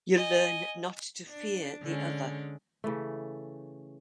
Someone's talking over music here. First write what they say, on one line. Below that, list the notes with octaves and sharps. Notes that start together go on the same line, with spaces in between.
You learn not to fear the other.
D#5 G#5
D4
D3 G#3 C#4
C#3 E3 A3